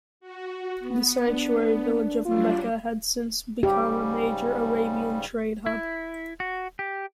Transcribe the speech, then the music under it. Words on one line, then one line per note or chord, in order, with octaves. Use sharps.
The sanctuary village of Mecca had since become a major Arabian trade hub.
F#4
B3
D4
F#3 G3 D4 F4
G#2 C#3 G3 G4
E4
F#4
G4